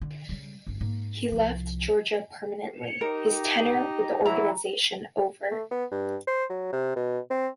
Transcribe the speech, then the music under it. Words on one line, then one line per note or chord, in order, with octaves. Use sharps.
He left Georgia permanently, his tenure with the organization over.
D3
C#3 G3
G1 C#4
G#2 A#3
C2 F3
D#4 G4 A#4
E3 F#3 E4 A#5
A3
B3
G2
C5
F#3
C3
B2
C4